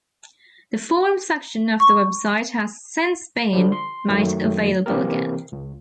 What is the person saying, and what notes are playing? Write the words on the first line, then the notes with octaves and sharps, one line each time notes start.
The Forum section of the website has since been made available again.
C#6
D3 F3 G3
C6
F#2 D#3 F#3 A3
C3 E3 A#3 C4 G4 A#4
C#2